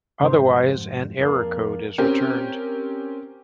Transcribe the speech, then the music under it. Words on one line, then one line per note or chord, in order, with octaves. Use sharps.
Otherwise an error code is returned.
F2 G#2 C#3 G3 C5
F2 A#3 D4 G#4 F5
C4 C#4 G4 A#4